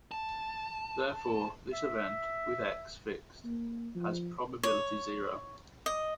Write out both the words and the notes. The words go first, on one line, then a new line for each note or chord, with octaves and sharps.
Therefore, this event, with "x" fixed, has probability zero.
A5
E5
A#3
F3
C#5
D#5